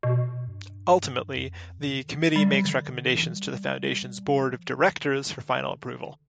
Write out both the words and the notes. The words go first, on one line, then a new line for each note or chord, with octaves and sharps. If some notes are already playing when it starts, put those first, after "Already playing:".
Ultimately, the Committee makes recommendations to the Foundation's Board of Directors for final approval.
B2
G2
F2
B2
D3
E3
F3
G3
F3
D3
E3
G3
F3
D3